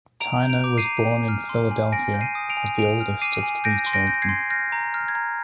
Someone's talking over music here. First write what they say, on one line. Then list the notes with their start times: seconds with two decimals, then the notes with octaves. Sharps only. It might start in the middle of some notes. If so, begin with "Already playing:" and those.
Tyner was born in Philadelphia as the oldest of three children.
0.20 A#5 D7 F7
0.42 G6
0.50 D7 F7
0.64 D6
0.78 C7 D#7
0.85 A#5
1.07 G#5
1.28 F6
1.49 C6
1.71 G#5
1.92 G#5 A#6 D7
2.14 G6
2.21 C7 D#7
2.35 D#6
2.50 D7 F7
2.57 G#5
2.79 G#5 D7 F7
3.00 F6
3.22 D6 C7 D#7
3.43 G#5
3.64 G6 A#6 D7
3.86 C6
3.93 A#6 D7
4.07 G6 A#6
4.22 G#6 C7
4.29 C6
4.50 F6 G6 A#6
4.72 A#5
4.94 F6
5.08 G#6
5.15 A#5